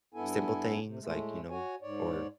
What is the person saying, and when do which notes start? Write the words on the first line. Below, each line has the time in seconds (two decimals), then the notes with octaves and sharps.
simple things, like you know or
0.14 G2 B3 E4 A4 G#5
0.85 C3
1.00 A2 G#3 A3
1.50 F#4 C#5 G#5
1.82 G#2 C#5 D5